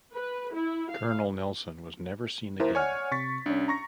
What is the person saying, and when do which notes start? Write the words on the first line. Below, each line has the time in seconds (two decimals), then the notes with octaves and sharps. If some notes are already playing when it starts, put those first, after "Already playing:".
Colonel Nelson was never seen again.
0.14 B4
0.53 E4
0.91 F5
2.60 D#2 E4 A#4 C5
2.75 C#5 D5 F#5 G#5 F6
3.12 C3 C#6 A6 B6
3.46 C2 C#4 D4
3.68 A#5 C#6 A#6